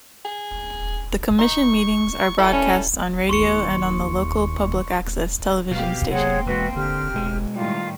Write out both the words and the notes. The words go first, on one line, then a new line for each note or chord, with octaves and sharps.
The Commission meetings are broadcast on radio and on the local public-access television station.
G#4
D#4 C#6
G3 E4 A4
C#4
D#2 C6 C#6 C#7
B2 G4 F5
C3 F#3 A#3 C4 G#4 C#5 F#5
E1 G#3 F#4 B4
D3 G4 F6
B2 G#3
A2 D#3 G3 F4